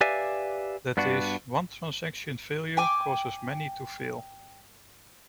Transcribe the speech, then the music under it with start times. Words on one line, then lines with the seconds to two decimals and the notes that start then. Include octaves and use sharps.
That is, one transaction's failure causes many to fail.
0.01 G4 B4 D5 E5 F5 G#5
0.97 G2 B3 D4 F#4
2.77 G5 G#5 D6